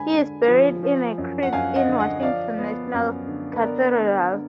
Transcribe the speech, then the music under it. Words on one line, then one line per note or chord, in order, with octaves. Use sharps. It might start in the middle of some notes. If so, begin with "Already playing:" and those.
He is buried in a crypt in Washington National Cathedral.
Already playing: D3 G#3 G#5 B5
D3
F3
F3
F#2
F#5
F#2 F5 G#5
D#5 F#5
D3
D#5 F#5
F3 D5 F5
B3
F#2
D3
B4
B3 A#4 D5
D3
D3